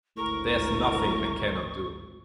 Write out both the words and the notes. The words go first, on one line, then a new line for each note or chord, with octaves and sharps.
There is nothing I cannot do.
G#1 D2 A2 A#4 C#6